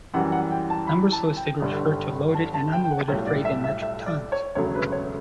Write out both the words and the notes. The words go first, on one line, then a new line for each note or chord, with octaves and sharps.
Numbers listed refer to loaded and unloaded freight in metric tonnes.
F#2 E3 G3 F#5
F#5
G5
A5
B5
A5
G5
G1 G2 D3 G3
A5
A5
G5
G5
F#5
B1 A2 G3 C#5
D5
E5
E5
E5
D5
C#5
E1 D2 C#3 F#3 A3 C#5
B4
C#5